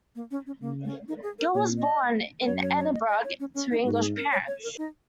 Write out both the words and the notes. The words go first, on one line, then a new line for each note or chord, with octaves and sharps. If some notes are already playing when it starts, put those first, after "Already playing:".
Gill was born in Edinburgh to English parents.
A#3
C#4
C#4
C#3 A#3
C#4
D#4
G#4
A#4
A#2 C#5
D#5
A#4
F#2 C#5
C#5
C#5
D#5
D#5
C#5
C#4
C#4
D#4
G#2 F#4
A#4
G#4
A#4
C#5
C#5
A#4
D#4